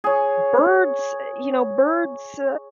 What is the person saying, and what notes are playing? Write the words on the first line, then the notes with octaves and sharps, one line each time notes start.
Birds, eh, you know, birds, uh,
G#4 C#5